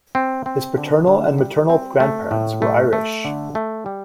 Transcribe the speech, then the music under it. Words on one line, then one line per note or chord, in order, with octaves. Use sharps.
His paternal and maternal grandparents were Irish.
C4
C4
D3
D3
G3
C4
A3
A2
A3
A3
D3
A3
G3